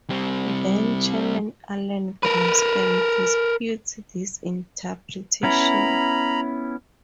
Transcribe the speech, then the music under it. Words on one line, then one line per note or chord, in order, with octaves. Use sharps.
Then-Chairman Alan Greenspan disputes this interpretation.
G3 C4
A#4 B4
B3 C#4 E4 A#5 B5